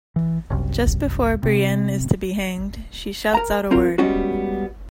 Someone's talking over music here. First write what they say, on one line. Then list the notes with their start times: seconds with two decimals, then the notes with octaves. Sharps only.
Just before Brienne is to be hanged, she shouts out a word.
0.16 E3
0.50 F#1 C2
1.43 C3
3.35 A#4 A#5
3.71 C2 C4 F4 A#4
3.98 G3 G#3 B3 C#4 F#4